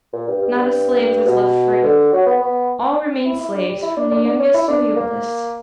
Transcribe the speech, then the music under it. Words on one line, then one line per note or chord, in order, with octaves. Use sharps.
Not a slave was left free. All remained slaves, from the youngest to the oldest.
A#2
G2
G2
G2
B2
D3
F#3
B3
B3
E4
E4
D4
G3
E4
D4
D4
D4
C#4
E4
D4
A#3